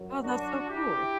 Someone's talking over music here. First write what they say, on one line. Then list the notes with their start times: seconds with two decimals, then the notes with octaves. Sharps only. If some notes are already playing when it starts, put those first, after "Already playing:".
Oh, that's so cool.
Already playing: F#2 F#3
0.23 D4 F#4
0.68 E4 G4